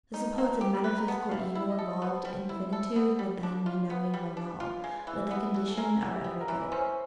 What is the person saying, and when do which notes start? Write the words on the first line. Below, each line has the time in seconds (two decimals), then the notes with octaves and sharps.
The supposed "metaphysical evil" involved in finitude would then be no evil at all, but the condition of every good.
0.14 D#4
0.23 A#5
0.33 A5
0.38 A#3
0.44 A#5
0.61 G4
0.84 B4
0.97 A#5
1.08 B3 A5
1.20 F#5
1.29 G3 F5
1.39 E5
1.55 E4
1.70 D#5
1.79 A4
2.02 B3 C5
2.25 G3
2.49 E4
2.73 A4
2.96 B3
3.19 G3
3.43 D4
3.66 F4
3.84 C5
3.89 B3 B4
4.14 G3
4.37 D4
4.60 F4
4.84 G#3
5.07 E3
5.31 B3
5.54 E3
5.69 A4
5.77 G#3 A#4
6.01 E3 F#4
6.09 G4
6.24 B3
6.41 A#4
6.48 E3
6.66 B4
6.72 C#4 C5